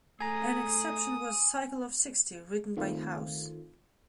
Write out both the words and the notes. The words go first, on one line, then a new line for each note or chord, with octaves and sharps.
An exception was "Cycle of Sixty", written by Howse.
A3 G#4 G#5 A#5 D#6
D#3 A3 C4 F4